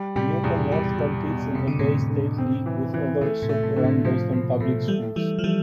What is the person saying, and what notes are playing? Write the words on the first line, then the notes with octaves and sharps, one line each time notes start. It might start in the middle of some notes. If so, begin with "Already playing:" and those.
Newton North competes in the Bay State League with other suburban Boston public schools.
Already playing: G3
A2 C3 G3
E2 B2
G3
G3
B2
F2 C3
D3
F2 A2 C3
D3
C4
E3
E3
B2 D3 A3
A2 C3
A3
A2 C3
D3
A2 C3
A2 C3 F3
B2 F3
B2 A3
E3 G3 A3
E3 G3 A3
F3
E3 G3 A3